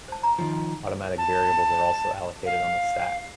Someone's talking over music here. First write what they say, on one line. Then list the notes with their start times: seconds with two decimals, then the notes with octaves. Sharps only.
Automatic variables are also allocated on the stack.
0.08 C5 A5
0.23 A#5
0.39 D#3 F3
1.18 A5
2.46 F5